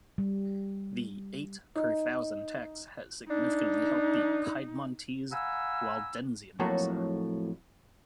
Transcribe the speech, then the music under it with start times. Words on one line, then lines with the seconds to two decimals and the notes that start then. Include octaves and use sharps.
The eight-per-thousand tax has significantly helped the Piedmontese Waldensians.
0.18 G3
1.76 D#4
3.30 D4 D#4
5.32 F5 F#5 G#5 A#5 B5 E6
6.59 F2 A2 F#3 A3 A#3 F#4